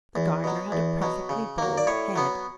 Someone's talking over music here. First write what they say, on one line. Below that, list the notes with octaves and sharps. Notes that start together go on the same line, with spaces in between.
The gardener had a perfectly bald head.
E2
B2 F#3
E2
B2 F#3
C#3
F#3 A#3
D5
A2 C#5
F#3 B3